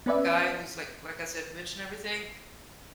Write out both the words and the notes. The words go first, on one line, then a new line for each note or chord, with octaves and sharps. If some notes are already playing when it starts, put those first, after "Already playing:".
guy who's like like, I said, rich and everything.
B3 C#4 B4 D5 E5